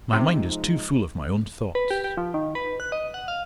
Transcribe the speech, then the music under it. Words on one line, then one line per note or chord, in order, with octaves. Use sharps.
"My mind is too full of my own thoughts."
C3 F3 G#3 D#4
B4
G4
G4
F3
D#3
B4
F#6
D#5
F#5
F5